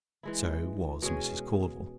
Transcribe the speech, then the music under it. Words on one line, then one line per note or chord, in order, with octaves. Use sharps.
So was Mrs. Caudle.
E3 G#3 E4
B2 G#3 C#4 G#4